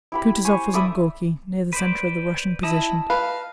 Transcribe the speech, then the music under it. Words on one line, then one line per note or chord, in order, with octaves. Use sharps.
Kutuzov was in Gorki, near the center of the Russian position.
E4 G4 B5
C5 C#5 G#5
D5 E5 B5 D#6
B4 C5 D5
E4 D#5 A5 D#6
B4 F5